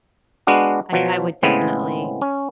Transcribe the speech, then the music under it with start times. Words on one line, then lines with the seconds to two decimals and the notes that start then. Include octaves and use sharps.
I I would definitely
0.47 G#3 B3 D4 F#4 F5
0.92 B2 F3 F#3
1.43 A2 C#3 G#3 B3 C4
2.22 C#4